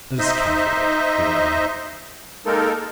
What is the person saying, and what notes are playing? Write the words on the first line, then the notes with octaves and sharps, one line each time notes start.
"Let us calculate," he went on.
D#4 C5 D#5 E5
G#3 A#3 D#4 A4 A#4